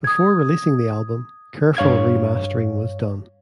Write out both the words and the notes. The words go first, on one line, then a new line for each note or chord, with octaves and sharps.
Before releasing the album, careful remastering was done.
D#6 G#6
G2 C#5 F5 G#6